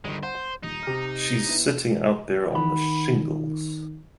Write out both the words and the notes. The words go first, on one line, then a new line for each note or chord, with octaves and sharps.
She’s sitting out there on the shingles.
G1 D#3 G#3
C5 F#5
D#1 D#4
C3 F6
B3 E4
D#3 F#5 B5